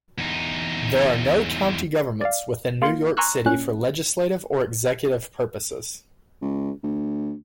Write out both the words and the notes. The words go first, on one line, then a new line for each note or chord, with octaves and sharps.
There are no county governments within New York City for legislative or executive purposes.
E2 D#4
D5 F5
A#3 F4 F5
G#5 A#5 C6 C#6 E6 F#6
A#2 C#4 F#6
C#2
D2